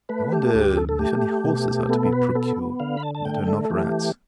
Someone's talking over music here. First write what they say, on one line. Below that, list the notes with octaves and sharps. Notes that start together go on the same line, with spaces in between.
I wonder if any horses are to be procured that are not rats.
A3 B4
G4
D2 G4
A4
A4
A3 G4
B2
B3 A4
B4
B3 A4
D3 F5
B5
A5
A5
A3 G5
A4
A4
E3 G4